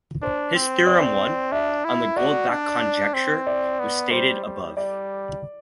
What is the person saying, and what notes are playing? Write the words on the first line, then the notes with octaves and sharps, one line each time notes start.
His Theorem I, on the Goldbach conjecture, was stated above.
D4 C5
C4
D5
D4 E5
E4
F#4 D5
D4
C4
D5
B3
G3 C5
G3
G3 D5